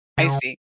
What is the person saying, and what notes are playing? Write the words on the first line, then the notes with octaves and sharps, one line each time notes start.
I see.
C#3